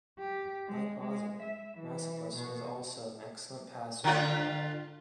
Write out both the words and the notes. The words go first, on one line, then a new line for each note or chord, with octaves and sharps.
Like Bozsik, Masopust was also an excellent passer of the ball.
G4
G#3
G#3
E5
E3
B2
D3 F4